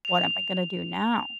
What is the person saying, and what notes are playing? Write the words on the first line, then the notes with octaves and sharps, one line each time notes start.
"What am I gonna do now?"
F7